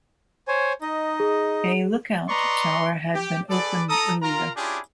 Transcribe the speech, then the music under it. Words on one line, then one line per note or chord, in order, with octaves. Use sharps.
A lookout tower had been opened earlier.
C5 C#5 G#5
D#4 D#5
G#4
B4 D5 D#5 A#5 C6 C#6
G4
G#4 A4 B4 D5
A4 A#5 D#6
F4 A#4 A#5
C#4 D4 E4 F4 G4 G#4